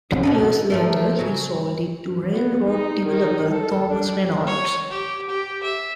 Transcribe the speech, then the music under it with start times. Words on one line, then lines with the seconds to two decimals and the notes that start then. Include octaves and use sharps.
Two years later he sold it to railroad developer Thomas Reynolds.
0.23 B2 D3 D#4
0.70 F3 A3 A#4
1.19 C#3 F#3
2.32 B3
2.68 D#4
3.06 D#3 D#4
3.50 A4
3.89 D4
4.47 C#5
4.91 G4
5.29 G4
5.63 E5